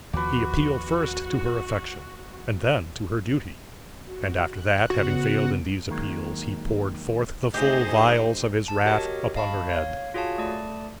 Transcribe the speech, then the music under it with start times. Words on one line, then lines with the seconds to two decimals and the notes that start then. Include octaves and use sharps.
He appealed first to her affection, and then to her duty; and after that, having failed in these appeals, he poured forth the full vials of his wrath upon her head.
0.13 D#2 F3 F#4 B4 D6
4.04 F#4
4.49 F#6
4.90 C#3 B3 F#4
5.89 D#3 F#3 G#3 A#3
7.54 D2 A3 D#4 G4 G#4 C5 D#5
8.68 A5
8.85 F#4 G4 A#4 C#5 D#5
9.35 D#5 F5 A5 B5 C#6
9.70 C#5 F5
10.14 F4 F#4 G#4 C#5 F5 A5
10.38 A3 D5 A5